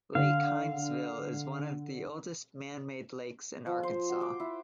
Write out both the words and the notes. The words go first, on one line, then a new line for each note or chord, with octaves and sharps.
Lake Hindsville is one of the oldest man-made lakes in Arkansas.
D3 F5
F3
C5
F#4
D6
E4